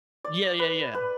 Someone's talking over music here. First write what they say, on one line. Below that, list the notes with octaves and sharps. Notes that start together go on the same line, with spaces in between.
Yeah, yeah, yeah.
D5
B4
B4